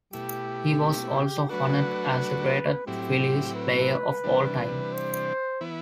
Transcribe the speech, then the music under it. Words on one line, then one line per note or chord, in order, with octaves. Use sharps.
He was also honored as the greatest Phillies player of all-time.
B2 A3 E4 G4
F#3 A3 D4 F#4 B4
A2 F#3 C4 E4 G4
B4
C3 E3 G3 D4
C5
E3 B3 E4